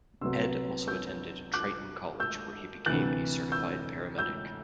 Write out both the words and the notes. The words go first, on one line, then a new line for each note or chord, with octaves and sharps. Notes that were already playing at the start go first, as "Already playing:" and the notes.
Ed also attended Triton College where he became a certified paramedic.
C2 C3 F#3 B3 C6 E6
E6 G6
D6 F#6
E6 G6
D2 C3 E3 F#6 A6
E6 G6
E6 G6